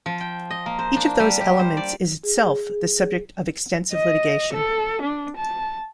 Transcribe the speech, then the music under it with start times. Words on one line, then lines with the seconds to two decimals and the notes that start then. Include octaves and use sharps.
Each of those elements is itself the subject of extensive litigation.
0.06 F3
0.20 G5
0.50 D#5
0.66 A#3
0.79 C5
0.96 D4
1.20 G3
1.41 G4
1.59 C5
1.77 D5
2.23 G#4
3.92 D#5
4.53 A4
5.02 D4
5.37 A5